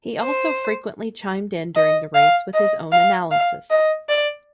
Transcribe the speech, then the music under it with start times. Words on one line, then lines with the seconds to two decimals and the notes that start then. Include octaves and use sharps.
He also frequently chimed in during the race with his own analysis.
0.21 C5
1.76 D#5
2.15 F5
2.54 D#5
2.92 F5
3.31 F5
3.70 D#5
4.09 D5